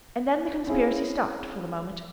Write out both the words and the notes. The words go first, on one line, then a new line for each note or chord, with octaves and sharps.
And then the conspiracy stopped for the moment.
C4 C#4 E4 G#4 F5